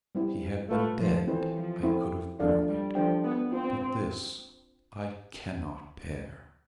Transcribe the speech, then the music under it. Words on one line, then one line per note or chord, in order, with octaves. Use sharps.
'If he had been dead I could have borne it, but this I cannot bear!'
G3 C4 E4
A3 F4 B4 F5
F3
E3 C4 E4 A4 C5
F3
C4 E4 A4
F3 D4 A4 D5 F5
G3
F3 D4 A4 C5 E5 G5
B3
C4 F4 C5 G5